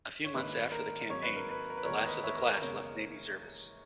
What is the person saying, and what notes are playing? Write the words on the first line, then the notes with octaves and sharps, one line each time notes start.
A few months after the campaign, the last of the class left Navy service.
C#5
A#1 G#2 D#3 A#3 C#4 B4
A#4
G#1 G#2 F#3 A#3 C#5
B4
A#4
B4
A#4
B4
E2 D#3 G#3 A#4 C#5
B4 D#5
C#5 E5
A#4
B4
F#1 E2 C#3 G#3 A#4 C#5